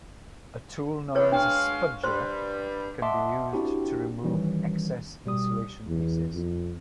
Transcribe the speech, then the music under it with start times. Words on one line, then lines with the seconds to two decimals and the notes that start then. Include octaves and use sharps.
A tool known as a spudger can be used to remove excess insulation pieces.
1.15 E2 B4 C#5
1.32 G#3 D4 F#4 F5
2.04 G2 G3 C5 C6
3.02 D#5 E5 F#5 A5 C6 D6
3.53 C4 D4 E4 F#4 G4
4.24 D#3 E3 G3 C#4
5.26 B2 G3 D#6
5.86 E2
6.34 F2